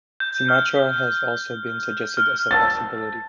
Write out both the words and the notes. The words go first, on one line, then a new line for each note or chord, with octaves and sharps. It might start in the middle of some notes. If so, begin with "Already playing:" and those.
Sumatra has also been suggested as a possibility.
G6
F6
F6
A5 E6 A6